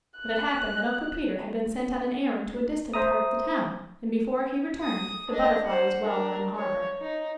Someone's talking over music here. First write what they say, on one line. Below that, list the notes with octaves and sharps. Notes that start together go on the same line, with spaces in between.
But it happened that Uncle Peter had been sent on an errand to a distant part of the town, and before he returned the Butterfly was well down the harbor.
F#6
C5 E5 A#5 D#6
D#6
D4 D#5
C5 F#5
D4 A#4
C#5
D#4